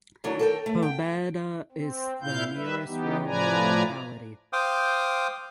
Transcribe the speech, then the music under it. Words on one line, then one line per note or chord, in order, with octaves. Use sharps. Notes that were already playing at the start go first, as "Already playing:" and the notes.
Pobeda is the nearest rural locality.
D#3 E3 F#3 D4
A4 A#4 G5
A3
G5
C4
A#2 E4 F5 G6
G3 B4 E5
E3 B3 D#4 G4
A2 F3 B4 D5 G#5 A#5
C5 F5 G5 D6 D#6